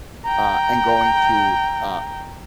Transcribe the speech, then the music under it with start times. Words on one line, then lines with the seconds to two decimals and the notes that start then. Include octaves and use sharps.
uh, and going to, uh,
0.25 G5 A#5